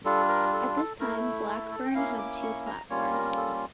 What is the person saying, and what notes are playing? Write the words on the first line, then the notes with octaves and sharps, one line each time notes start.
At this time, Blackburn had two platforms.
G3 D4 F4 A4
A#4
A4
A4
A3 E4 A#4
A4
A4
G5
A#3 C#4 E4 F5
D6
C#6
A#5
G3 A#3 C#4 F4 C#5
A#4
A4